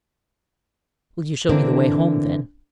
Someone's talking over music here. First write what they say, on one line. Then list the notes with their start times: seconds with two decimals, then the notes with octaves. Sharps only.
"Will you show me the way home, then?"
1.49 D3 E3 A#3 C4 D4